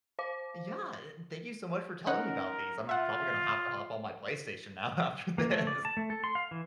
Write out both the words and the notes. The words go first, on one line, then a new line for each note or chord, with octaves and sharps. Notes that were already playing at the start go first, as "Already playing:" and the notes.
Yeah. Eh, thank you so much for telling me about these, I'm probably gonna have to hop on my PlayStation now after this.
C5 F5 D6
C#4 D#4 A#4 F#5
F4 E5 F#5
A#3
A3
D5
A5
A3
A4
C6
F5
E3